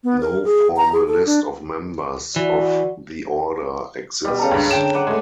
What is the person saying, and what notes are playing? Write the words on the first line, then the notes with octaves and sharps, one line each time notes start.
No formal list of members of the order exists.
B3
A#4
G#4
A#5
G#4
A4
D4
E3 F#4 D5
B2 G3
C#3 A4 A#5
C#2 G2
D3 G5 E7
B4 D5 F#5
G#3 A3